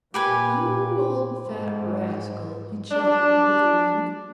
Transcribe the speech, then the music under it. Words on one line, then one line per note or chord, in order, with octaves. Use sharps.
"You old fat rascal!" he chuckled, with a wink.
A#2 G4 B4 G#5
G#2
D4